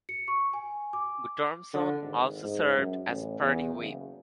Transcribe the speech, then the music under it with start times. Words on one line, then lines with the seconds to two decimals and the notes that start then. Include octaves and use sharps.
Guttormson also served as party whip.
0.09 C#7
0.28 C#6
0.53 G#5
0.93 D6
1.74 D3
2.02 G#1
2.44 G#2
2.78 F#2
3.06 A1
3.41 E2
3.75 F#1